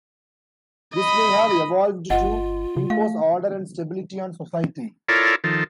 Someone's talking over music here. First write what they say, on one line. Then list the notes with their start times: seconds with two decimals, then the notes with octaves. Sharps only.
This may have evolved to impose order and stability on society.
0.96 D#5 B5
2.10 G1 F4 D#5 F#5
2.76 C#3
2.90 A3 F5
5.09 E4 F4 A4 A#4 C#5 D5
5.44 D#3 F3 A4